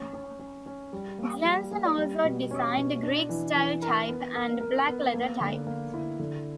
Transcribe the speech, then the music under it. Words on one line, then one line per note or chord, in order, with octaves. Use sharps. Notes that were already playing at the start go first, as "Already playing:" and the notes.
Jenson also designed Greek-style type and black-letter type.
Already playing: C#4
C#4
C#4
C#4
G3
A#3
G3
A#3
G3
B2
C#4
B2
D4
E3
E3
A#4
B3
A#4
A#4
B3
A#3
D3
A#3
E4
D3